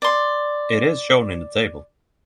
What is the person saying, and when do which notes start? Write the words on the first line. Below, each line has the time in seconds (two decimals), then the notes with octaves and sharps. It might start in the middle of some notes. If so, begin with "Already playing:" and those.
It is shown in the table.
0.02 D5 C6